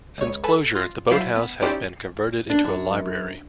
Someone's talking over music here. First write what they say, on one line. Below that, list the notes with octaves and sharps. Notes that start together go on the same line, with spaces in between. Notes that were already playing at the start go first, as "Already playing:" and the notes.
Since closure the boat house has been converted into a library.
C#2 C#5
A4 B4 G#5 A5
F4 A#6
E2 F#3 E4 F4 C5 F5
B3
C#4 D#4 E4 G4 C5 D5
D4
F#2